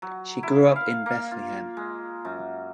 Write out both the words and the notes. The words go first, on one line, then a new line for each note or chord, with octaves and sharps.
She grew up in Bethlehem.
F#3
E4
F5
A#3
F4
G#3
F#2